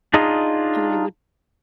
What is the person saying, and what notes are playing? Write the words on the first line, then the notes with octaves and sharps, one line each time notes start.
and I would
D4 D#4 F4 G#4 D#5